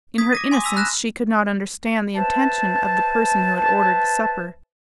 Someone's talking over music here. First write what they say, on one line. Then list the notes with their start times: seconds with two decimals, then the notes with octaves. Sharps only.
In her innocence, she could not understand the intention of the person who had ordered the supper.
0.18 D#6 G#6 B6
0.33 D6 A#6 D#7
0.51 G#5 C6 D6 D#6
0.64 A5 E6 B6 F7
0.76 B5 F6 F#6 G#6 A#6 E7
2.16 B4 C5 E5 A5